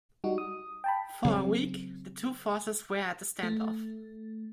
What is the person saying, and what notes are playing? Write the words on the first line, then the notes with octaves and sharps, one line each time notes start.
For a week the two forces were at a standoff.
G3 D#4 F#4
D#6
G5 A5 B5
C#3 F#3 C4
A3